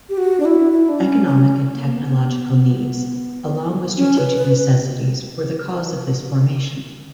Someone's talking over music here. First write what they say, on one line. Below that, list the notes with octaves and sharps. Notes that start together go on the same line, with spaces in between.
Economic and technological needs along with strategic necessities were the cause of this formation.
G4
F#4
D4
E4
E4
D4
C#4
C#4
A#3
B3
C#4
B3
C#4
B4
B4